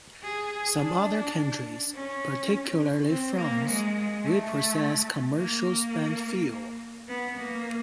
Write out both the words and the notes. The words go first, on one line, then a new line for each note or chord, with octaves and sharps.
Some other countries, particularly France, reprocess commercial spent fuel.
G#4
D4
C#4
C4
A#3
G#3
A3
A#3
B3
A#3